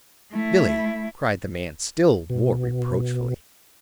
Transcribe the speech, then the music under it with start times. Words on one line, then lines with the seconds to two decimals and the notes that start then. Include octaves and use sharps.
"Billy!" cried the man, still more reproachfully.
0.31 A3 E4
2.30 B2